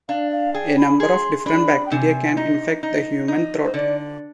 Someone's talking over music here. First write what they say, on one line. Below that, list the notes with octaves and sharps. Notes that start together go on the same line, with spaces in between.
A number of different bacteria can infect the human throat.
D4 F5
F5
G#4 G5
B5
G#4 C6
C6
D4 B5
G5
C3 G#5
D#4
D#4
D#4
C5
D3 D5